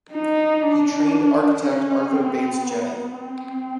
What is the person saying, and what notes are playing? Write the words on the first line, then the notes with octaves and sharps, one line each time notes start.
He trained architect Arthur Bates Jennings.
D#4
D4
C#4
C4
B3
C4